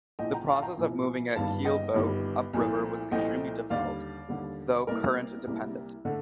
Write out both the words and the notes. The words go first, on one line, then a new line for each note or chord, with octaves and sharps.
The process of moving a keelboat upriver was extremely difficult, though current dependent.
A#1 A2 F3 D#5 G5
G5 A#5
F5 A5
G5 A#5
A#1 A2 F3
G1 G2 D#3 G3 F5 A5
D#5 G5
G1 G2 D#3 G3
C2 A#2 F3 A3 C4
C2 A#2 F3 A3 C4 D#5 G5
D#2 D3 G3 D5 F5
D#2 D3 G3
C2 C3 G3 A#3 A#4 D5
C2 C3 G3 A#3
D3 A3